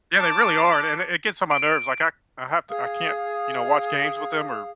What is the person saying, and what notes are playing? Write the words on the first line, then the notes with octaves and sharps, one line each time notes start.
Yeah, they really are, and it it gets on my nerves, like, I I have to I can't, you know, watch games with them or
A5 D6
D7
G#4 F5 D#6